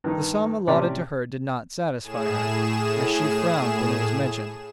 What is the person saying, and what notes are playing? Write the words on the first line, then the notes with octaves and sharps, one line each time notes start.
The sum allotted to her did not satisfy her, as she frowned when it was mentioned.
G2 D#3 D#4
A2 C3 C#4 G4 D5
A2 G#4 E7